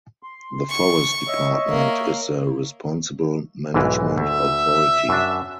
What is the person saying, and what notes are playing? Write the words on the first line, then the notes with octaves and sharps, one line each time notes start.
The Forest Department is the responsible management authority.
C6
C#6
C#5 D#5 E5
A#3
B1 G#2 E3
D2 E5
F#2 D4